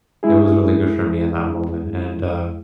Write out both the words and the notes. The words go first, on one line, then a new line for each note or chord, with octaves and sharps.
It was really good for me in that moment and, uh,
G#3 E4 G#4